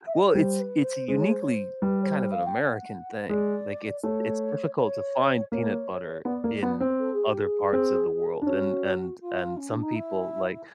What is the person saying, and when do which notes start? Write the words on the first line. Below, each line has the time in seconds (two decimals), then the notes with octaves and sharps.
Well, it’s it’s uniquely kind of an American thing. Like, it’s it’s difficult to find peanut butter in other parts of the world, and and and some people, like,
0.06 E5
0.13 D#5
0.20 D5
0.28 C#5
0.34 G3 C5
0.59 B4
0.83 C5
1.08 G#3 C5
1.19 C#5
1.30 C5
1.41 C#5
1.53 C5
1.81 G3 B4
2.02 C#5
2.06 C5
2.31 F5
2.45 G5
2.56 F#5
3.29 G#3 D5
4.03 A3 C#5
4.77 C#5
5.52 A#3 C#5
6.24 B3 D5
6.44 A#3
6.63 B3
6.80 C4
6.99 A4
7.12 G#4
7.26 G4
7.40 G#4
7.73 C4
8.42 D4
8.46 C#4 F#4
9.20 F4
9.56 C#4
9.69 D4
9.82 D#4
9.94 E4